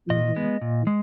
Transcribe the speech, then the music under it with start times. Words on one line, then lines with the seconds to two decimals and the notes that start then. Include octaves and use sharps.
Mhm, mm.
0.10 A#2 D#5
0.36 G#3 B3
0.61 A#2
0.87 G#3